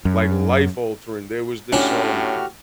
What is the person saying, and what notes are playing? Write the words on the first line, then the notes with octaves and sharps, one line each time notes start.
like, life altering, there was this, um
F#2
A2 C#4 D4 F#4 G4 F6